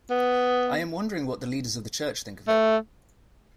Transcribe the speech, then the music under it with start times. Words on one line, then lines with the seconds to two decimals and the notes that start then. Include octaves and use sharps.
I am wondering what the leaders of the Church think of it.
0.10 B3
2.48 A3